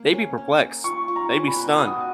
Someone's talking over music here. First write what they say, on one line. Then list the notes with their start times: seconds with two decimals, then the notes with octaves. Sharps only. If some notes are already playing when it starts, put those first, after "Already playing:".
they'd be perplexed. They'd be stunned.
Already playing: A#3
0.14 C#4
0.38 C#4
0.61 A#3
0.84 F4 C#6
1.08 F4
1.16 A#5
1.31 C#4
1.47 B5
1.54 B2
1.78 F#4 D#6